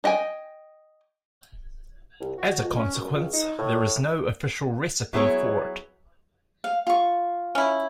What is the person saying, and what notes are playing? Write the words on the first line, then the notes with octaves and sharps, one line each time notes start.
As a consequence, there is no "official" recipe for it.
D4 D#5 G5 G#5
C2
F#4
F2
C#4
F#2
C#2
D#4
A2
F#3 B3 E4 G#4 A4 C#5
F5
F4 C#6
C#4 E4